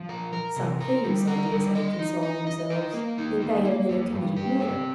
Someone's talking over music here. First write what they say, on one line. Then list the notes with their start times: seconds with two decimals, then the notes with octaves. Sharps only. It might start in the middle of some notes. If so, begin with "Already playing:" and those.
Some thieves, I dare say, console themselves that they have never committed murder.
Already playing: F3
0.09 A#4
0.33 A#4
0.56 C3
0.80 A#4
1.04 G3
1.27 A#4
1.52 G3
1.75 D#5
1.99 D#4
2.23 D#5
2.47 D#5
2.70 A#4
2.94 A#3
3.18 D#4
3.41 A#3
3.65 A#3
3.89 G4
4.13 G2
4.36 G4
4.60 C4